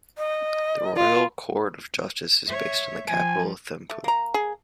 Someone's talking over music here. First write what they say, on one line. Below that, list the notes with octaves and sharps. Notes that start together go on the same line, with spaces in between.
The Royal Court of Justice is based in the capital Thimphu.
D#5
F4
C#5 E5
F3 G#5
A3
A#3 A#5
G#4